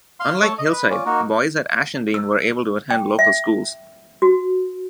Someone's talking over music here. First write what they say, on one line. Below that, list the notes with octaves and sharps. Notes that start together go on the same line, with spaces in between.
Unlike Hillside, boys at Ashendene were able to attend local schools.
F5 C6
A3 A4 C#5 A5
D#5
B4
C#4 F4 D5
A#3 D#4 F#4 A#4
E6
G5
E5
F#4